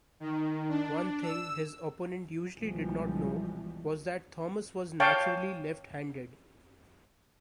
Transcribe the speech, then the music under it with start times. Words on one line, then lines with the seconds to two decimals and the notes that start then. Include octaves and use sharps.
One thing his opponent usually did not know was that Thomas was naturally left-handed.
0.20 D#3
0.69 D4
1.23 E6
2.56 C2 B2 E3 F3 G3 G#3
5.00 C#5 F5 G5 A5